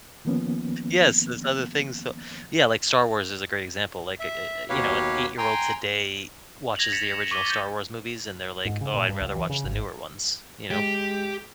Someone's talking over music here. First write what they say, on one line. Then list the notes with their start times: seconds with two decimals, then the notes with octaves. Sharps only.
Yes, there's other things, so Yeah, like, Star Wars is a great example, like, eh eh eh, you know, an eight-year-old today watches the original Star Wars movies, and they're like, "Oh, I'd rather watch the newer ones," you know?
0.25 D#3 F3 A#3 B3 C#4
4.20 E5
4.69 D#2 B2 G4 B4 C#5 F5
5.38 G5 G#5 A#5 C6
6.77 G#6 A#6 F7 F#7
6.92 A6 B6 C#7 E7 F7
7.14 E7
7.31 C#6 D6 D#7 G7
7.46 G6 A6
8.65 G#2
8.81 C#3
8.94 A#2
9.09 G2
9.21 C#2
9.35 E3
9.50 C#3
9.64 G#1
10.71 G#3 G4